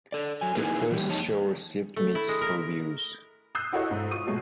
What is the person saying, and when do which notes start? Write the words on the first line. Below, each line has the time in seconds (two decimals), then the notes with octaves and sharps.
The first show received mixed reviews.
0.12 A4 D5
0.41 F#3 G#5
0.55 A#3 D#4 E4 G#4 A#4 B4
0.91 E3 G3 A#3 G4
1.08 F2 D#4 C#5 A5
1.96 A3
2.15 E4
2.28 G#3
2.41 A#4
3.55 D#6 E6 F#6 G6 C7
3.72 E4 F#4 G4 A4 C#5 D#5
3.91 G#2
4.11 F4 C#6 D#6 D#7
4.27 B2 F#3 G#3 A3